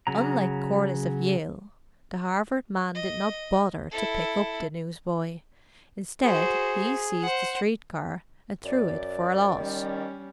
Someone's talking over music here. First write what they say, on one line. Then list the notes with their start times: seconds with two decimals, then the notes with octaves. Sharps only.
Unlike Corliss of Yale, the Harvard man did not bother to pick up the newsboy. Instead he seized the street car and threw it for a loss.
0.07 C#3 F#3 A#5
2.95 D#5
3.92 E4 A4
6.23 F#4 G#4 C5
7.21 C5 F#5
8.65 F#2 D5
9.58 D#3 G3 C#4